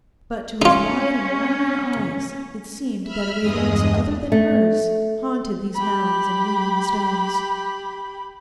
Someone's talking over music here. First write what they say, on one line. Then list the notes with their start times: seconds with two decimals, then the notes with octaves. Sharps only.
But to his wide and wandering eyes it seemed that a radiance other than hers haunted these mounds and leaning stones.
0.62 C#4 D#4 F4
3.03 E5 B5 F6
3.40 E2 G2 G#3 G#4 D#5 D#6
4.32 A3
5.75 G4 B5